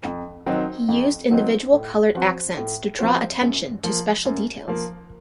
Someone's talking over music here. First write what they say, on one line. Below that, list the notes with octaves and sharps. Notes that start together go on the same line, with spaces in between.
He used individual coloured accents to draw attention to special details.
F2
D#3 F#3 C4 D#4
F2
D#3 F#3 C4 D#4
A2
F3 C4 F#4 C5
A2
F3 C4 F#4 C5
F#2
F3 A#3
F#2
F3 A#3